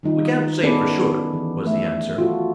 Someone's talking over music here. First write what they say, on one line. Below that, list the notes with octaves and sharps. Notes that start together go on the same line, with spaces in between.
"We can't say for sure," was the answer.
D#3 G3 D#4 F4
B3 C#4 G#4 A4 B4 D5
E3
A3 E5
F4 F#4 A4